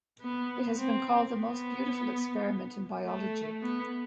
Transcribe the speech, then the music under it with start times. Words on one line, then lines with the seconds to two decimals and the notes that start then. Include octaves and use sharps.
It has been called the most beautiful experiment in biology.
0.21 B3
0.78 C4
1.35 B3
3.05 A3
3.62 B3